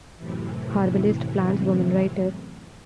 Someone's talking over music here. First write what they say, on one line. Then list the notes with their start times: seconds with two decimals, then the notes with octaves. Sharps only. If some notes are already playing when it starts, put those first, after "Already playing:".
Herbalist, plants women, writer.
0.17 F#2 A2 C3 E3